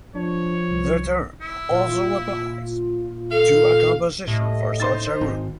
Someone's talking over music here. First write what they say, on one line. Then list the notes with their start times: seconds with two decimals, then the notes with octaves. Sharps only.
The term also applies to a composition for such a group.
0.15 F3 D4 C#5
0.71 C2 E3
1.41 E4
1.70 A#2 F4
3.31 A4 F5
4.28 A2 A3 G4 D#5
4.80 D#4 C5 C6 A6
5.21 G#1